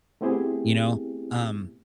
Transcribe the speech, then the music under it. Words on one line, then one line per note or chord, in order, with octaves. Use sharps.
you know, um,
A3 B3 C4 E4 G4 G#4